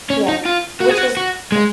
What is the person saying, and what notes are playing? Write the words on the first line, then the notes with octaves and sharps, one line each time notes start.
Yeah. Which is eh
C#4
D#4
F4
F#4
G#4
F#4
F#4
G#3